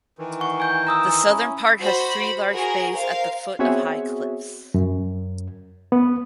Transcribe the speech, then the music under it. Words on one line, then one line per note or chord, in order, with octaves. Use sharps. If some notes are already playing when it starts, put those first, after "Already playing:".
The southern part has three large bays at the foot of high cliffs.
D#3 E3
F#5 C#6
G#5 G6
A#5 D#6 E6
C#4 E4
F#4 C5 B5
F#4 G#4 A#4
A#4 C5 F5
B3 C4 F#4 G#4 C#5 E5
F#2
B3